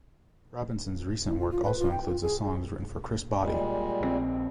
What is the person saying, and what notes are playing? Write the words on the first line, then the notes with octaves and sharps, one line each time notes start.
Robinson's recent work also includes the songs written for Chris Botti.
E4
F4
F4
B4
F4
G5
F4
G#4
A#2 G3 G#3
A#1 D#3 C4